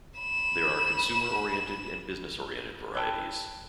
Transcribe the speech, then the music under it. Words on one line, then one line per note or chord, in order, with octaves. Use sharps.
There are consumer oriented and business oriented varieties.
B5 E7
G5 A5 B5 E6 F#6 G#6